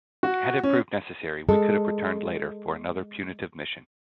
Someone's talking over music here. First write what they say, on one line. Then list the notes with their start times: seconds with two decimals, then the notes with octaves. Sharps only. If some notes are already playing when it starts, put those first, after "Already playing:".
Had it proved necessary, we could have returned later for another punitive mission.
0.23 F#4
0.63 C#4
1.49 G#3 A4